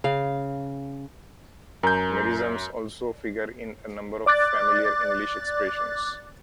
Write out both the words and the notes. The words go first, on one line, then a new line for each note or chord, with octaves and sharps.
Merisms also figure in a number of familiar English expressions.
C#3 F5
F#2 A#4 G#5 A#5 G6
D5 D6 F#6 A6